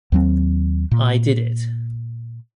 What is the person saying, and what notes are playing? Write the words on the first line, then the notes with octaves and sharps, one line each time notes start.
I did it.
D#2 F#3 C4
A#2